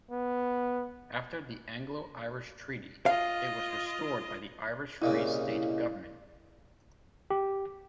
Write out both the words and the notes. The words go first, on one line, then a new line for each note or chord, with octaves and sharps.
After the Anglo-Irish Treaty, it was restored by the Irish Free State government.
B3
F4 D#5 F5
C2 A#2 C#3 E4 D#5 F5
G4